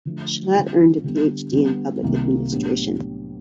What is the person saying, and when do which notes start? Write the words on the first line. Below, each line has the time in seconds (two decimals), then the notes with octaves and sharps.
Shelat earned a PhD in public administration.
0.05 D3 F3 A3
0.55 D3 G3 C4 F4
1.04 D3 G3 B3
1.53 D3 G3 B3
2.03 C2 C3 D#3 G3 A#3
2.52 A2 F#3 B3 D4 G4